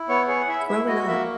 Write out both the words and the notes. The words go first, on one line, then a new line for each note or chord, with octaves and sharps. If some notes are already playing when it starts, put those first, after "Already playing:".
growing up,
Already playing: E4
B3 C#5
G#4 C#5
F#5
E4 E5
E4 E5
F#4 D#5
A#3 E5